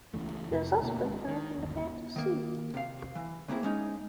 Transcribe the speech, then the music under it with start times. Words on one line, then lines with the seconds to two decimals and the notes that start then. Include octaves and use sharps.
It has also been found in the Banda Sea.
0.14 C#2 C#3 E3 A3
0.51 F2 C3
0.81 D2 B2 A#3
1.02 G#1 G#2 C#3
1.28 D#3
1.58 G1 D#2
2.16 D#3 A#3
2.74 C3 F5
3.15 E3
3.48 C#3 A#3 C4 E4 G#4
3.63 G#3 C#4 D#4